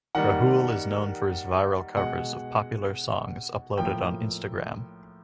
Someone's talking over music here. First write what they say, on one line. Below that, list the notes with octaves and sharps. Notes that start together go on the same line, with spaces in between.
Rahul is known for his viral covers of popular songs uploaded on Instagram.
D#3 G3 A#3 F#5
B2 G#3 F#5
A2 F3 A#3 G5